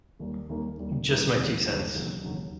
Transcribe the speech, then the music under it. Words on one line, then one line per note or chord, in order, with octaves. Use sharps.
Just my two cents.
D#2 D#3 G3 A#3
D#2 D#3 G3 A#3
D#2 D#3 G3 A#3
D#2 D#3 G3 A#3
E1 D#2 C#3 F#3
E1 D#2 C#3 F#3
E1 D#2 C#3 F#3
E1 D#2 C#3 F#3